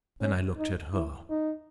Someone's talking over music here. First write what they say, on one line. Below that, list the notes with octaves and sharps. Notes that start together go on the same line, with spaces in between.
Then I looked at her.
C#4
D#4
E4
D#4